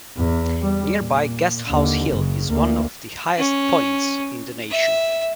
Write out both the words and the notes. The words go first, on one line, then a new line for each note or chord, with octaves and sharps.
Nearby Guesthouse Hill is one of the highest points in the nation.
E2
G3
A#2
D#2 D3
F#1 C#3
D2 A#3
C#4
E5